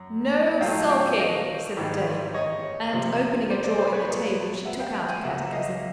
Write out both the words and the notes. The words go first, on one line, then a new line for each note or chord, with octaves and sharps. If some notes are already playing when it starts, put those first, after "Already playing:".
"No sulking!" said the dame; and opening a drawer in the table, she took out a catechism.
Already playing: F#2
A#2 F#3 A3 F5 G5
F5 G5
D#5 F5
G#2 D#3 G3
C#5 D#5
C3 F3 A#3
C5 D5
C5 D5
C5 D5
B4 C#5
A#2 F#3 B3
E5 F#5
F5 G5
F5 G5
F#5 G#5
C#2 C#3 F#3 A#3 E5 F#5
E5
D#5 F5